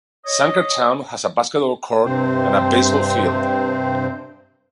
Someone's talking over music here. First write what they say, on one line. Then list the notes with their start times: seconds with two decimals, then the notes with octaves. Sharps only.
Sankertown has a basketball court, and a baseball field.
0.25 C#5 D#5
2.05 G2 C3 C4 C5